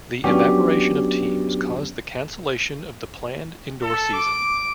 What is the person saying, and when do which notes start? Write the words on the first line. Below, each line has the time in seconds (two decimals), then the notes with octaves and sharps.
The evaporation of teams caused the cancellation of the planned indoor season.
0.24 F#3 B3 C#4 D4 F#4 G4
3.82 A4
4.13 D6